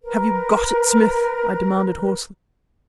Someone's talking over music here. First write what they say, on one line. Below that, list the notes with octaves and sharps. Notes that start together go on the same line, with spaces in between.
"Have you got it, Smith?" I demanded hoarsely.
A#4 B4